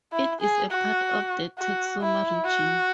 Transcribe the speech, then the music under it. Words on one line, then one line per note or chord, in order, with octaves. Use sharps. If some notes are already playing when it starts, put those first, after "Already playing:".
It is a part of the Texoma region.
E4
G#4
F#4
F#4
E4
F#4